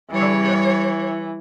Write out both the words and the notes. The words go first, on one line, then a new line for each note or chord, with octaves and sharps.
Oh, yeah.
E3 G3 C#5